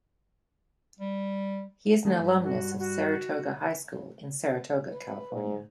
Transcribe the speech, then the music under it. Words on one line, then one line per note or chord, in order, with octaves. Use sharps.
He is an alumnus of Saratoga High School in Saratoga, California.
G3
D#3 A3
G2
F#4
F#4
B4
G#2